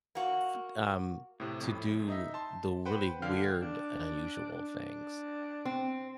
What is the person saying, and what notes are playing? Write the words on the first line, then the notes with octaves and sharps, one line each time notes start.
f um, to do the really weird, unusual things
A#3 F#4
A2 C3
F2 A2
D#4 D#5 E5
A5 C6
B4 C5 F#5 G5
D3 F5 G5 F6
D4
D4
C4